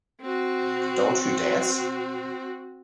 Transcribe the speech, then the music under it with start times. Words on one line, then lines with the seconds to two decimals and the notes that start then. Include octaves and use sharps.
Don't you dance?
0.21 C4 F#4